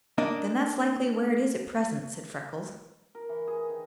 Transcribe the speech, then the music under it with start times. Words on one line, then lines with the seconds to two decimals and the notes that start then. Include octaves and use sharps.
"Then that's likely where it is at present," said Freckles.
0.18 A#3 D4 D#5
3.15 A#4
3.29 E3
3.47 G#4
3.69 D#3